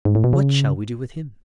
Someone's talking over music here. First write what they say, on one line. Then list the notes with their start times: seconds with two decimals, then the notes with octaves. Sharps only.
"What shall we do with him?"
0.05 G#2
0.15 A2
0.24 B2
0.33 C#3